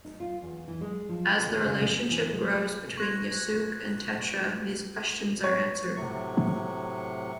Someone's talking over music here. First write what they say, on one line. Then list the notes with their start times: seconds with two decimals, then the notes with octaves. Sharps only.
As the relationship grows between Yusuke and Tetra, these questions are answered.
0.05 D#4
0.20 F4
0.42 E2
0.68 E3
0.81 G#3
1.09 F3
1.46 D#2
1.65 C#3
1.94 B3
2.11 E3
2.33 G#3
2.53 G#3
2.98 C6 C#6 F#6 G#6 A#6 F#7
5.44 C#5
5.97 A2 C3 F#3 C#6